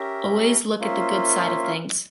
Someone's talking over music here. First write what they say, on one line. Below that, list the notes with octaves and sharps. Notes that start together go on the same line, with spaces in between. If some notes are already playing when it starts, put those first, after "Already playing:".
Always look at the good side of things.
Already playing: C#4 G4 A#4 E5
A#3 C#4 F4 C5 E5